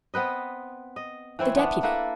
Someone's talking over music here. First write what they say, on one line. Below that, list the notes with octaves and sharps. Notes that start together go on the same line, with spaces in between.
"The deputy."
B3 C4 B4 D#5
D#5
E3 C4 E4 C#5
A3 B3 D4
A#3 E4 A4 B4